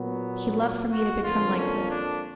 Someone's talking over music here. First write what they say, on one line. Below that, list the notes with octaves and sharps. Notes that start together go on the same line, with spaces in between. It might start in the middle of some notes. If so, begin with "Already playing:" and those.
He loved for me to become like this.
Already playing: A#2 F#3 B3
F#4
F2 D3 F3 A#3 F4
C#4
D4